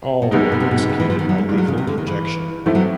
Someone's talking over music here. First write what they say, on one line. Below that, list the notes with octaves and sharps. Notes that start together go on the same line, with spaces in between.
All were executed by lethal injection.
B2
F#2 C3 D#3 G#3 B3 D#4
B2
C3
B2
C3
C#3
E3
F3
D#3
F#3
G#3
G2 E3 G3 G#3
F#3
C#3
C3
D3
D#3
E3
A2 E3 F3 A3 C4 E4
F#3